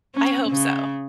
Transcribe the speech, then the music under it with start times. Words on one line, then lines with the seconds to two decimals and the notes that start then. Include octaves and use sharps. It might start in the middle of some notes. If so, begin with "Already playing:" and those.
I hope so.
0.15 C#4
0.50 C#3